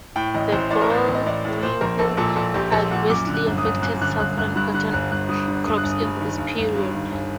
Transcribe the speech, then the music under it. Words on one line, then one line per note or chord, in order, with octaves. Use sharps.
The boll weevil adversely affected southern cotton crops in this period.
A2 G5
A1 D#5
A1 C5
A2 D5
A#4
A2 C5
A1
D#5
A1 D5
A2
A#2 C5
A#1 A#4
A#1 A4
A#2 A4
A#2 A4
A#1 G4
A#1 A4
A#2 F#5
F#2 D6
D3
F#6
G1
D#6
G1
F#2 F#6
D3 F#6
G1 F#6
G1 F#6
G2 F#6
D3 F#6
G1 F#6
G1 F#6
G2 D#6
D3
G1 D#6
F#6
G1
D#6
G2
D#3
G1
G1
G2
D#3
G1